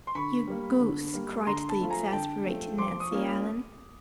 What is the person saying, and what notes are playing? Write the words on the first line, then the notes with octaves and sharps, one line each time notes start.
"You Goose!" cried the exasperated Nancy Ellen.
C6
D3 B5 C#6
G3 A#3
D3
G3 A#3
D3 A#5 C6
A5 B5
F3 A3 C4 F4
G#5 A#5
D3 G5 A5
F3 A3 C4 F4
F3 C6 D6
C#6 D#6
A#3 C#4 F4